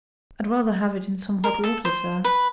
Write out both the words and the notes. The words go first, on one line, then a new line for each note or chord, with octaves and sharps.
"I'd rather have it in some hot water, sir."
A#4
A4
C5
B4